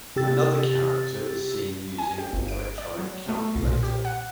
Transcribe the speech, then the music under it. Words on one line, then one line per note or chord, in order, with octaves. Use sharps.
Another character is seen using an electronic calculator.
C3 G4 E6 A6
G#5
G4
G1
D7
D5
F#3
A3
B1
A#2
G4
F#5